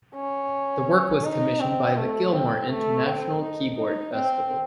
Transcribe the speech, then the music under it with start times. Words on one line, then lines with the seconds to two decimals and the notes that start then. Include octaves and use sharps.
The work was commissioned by the Gilmore International Keyboard Festival.
0.15 C#4
1.24 D#4
1.60 C4
1.96 A3
2.32 C4
2.69 A3
3.05 C4
3.42 D#4
3.78 D#4
4.14 C4